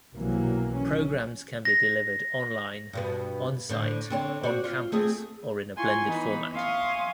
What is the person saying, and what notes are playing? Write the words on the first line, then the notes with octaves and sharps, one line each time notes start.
Programs can be delivered online, onsite, on campus or in a blended format.
B1 C3 E3 F#3 A#3
C#4
A#6
G2 B2 B3
A2 D3 C5
D3 C4 C#5
F#4 C5 D5
F4
A3 C4 G#4
E4 F4 G#5 C6 C#6
E3 B3 D#4 B5
E5 F5 G#5 C6 C#6 D#6